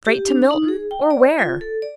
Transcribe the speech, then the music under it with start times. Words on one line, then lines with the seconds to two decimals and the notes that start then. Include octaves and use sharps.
Straight to Milton, or where?
0.06 G4
0.28 D4
0.51 D#4
0.68 G#4
0.91 G5
1.11 D5
1.39 F4
1.61 A4
1.82 D5